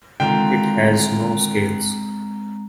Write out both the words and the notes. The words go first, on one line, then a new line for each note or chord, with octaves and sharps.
It has no scales.
D3 D#3 G#3 C4 F4 G5 A#5